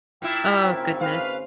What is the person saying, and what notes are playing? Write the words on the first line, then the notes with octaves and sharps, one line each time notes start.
Oh, goodness.
A#2 E4 G5
G#1 C#3 C5
B4 F5